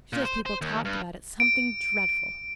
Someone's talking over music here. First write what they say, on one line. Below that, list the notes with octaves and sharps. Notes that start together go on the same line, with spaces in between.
She says people talked about it something dreadful.
A#2
C5
C5
D#2
G2
D7